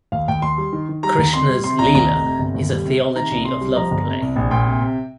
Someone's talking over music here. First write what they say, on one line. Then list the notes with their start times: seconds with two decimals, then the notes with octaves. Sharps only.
Krishna's "lila" is a theology of love-play.
0.12 D#2 F5
0.28 D#2 G5
0.42 D#2 C6
0.58 G3
0.73 D#3
0.89 D#3
1.03 G3 A#5
1.18 D#2
1.33 F2 C6
1.48 G3
1.64 C3 C6
1.79 C2 A#5
1.95 D#2 A#5
2.10 F1
2.24 C3
2.39 G1
2.54 D#2
2.70 G3
2.85 C3
3.00 C3
3.15 D#3 A#5
3.31 C2
3.45 C2 C6
3.61 G3
3.76 F3 A#5
3.91 G1
4.06 C3
4.21 C2
4.36 A#1
4.51 A#2 G5
4.66 C3
4.81 C3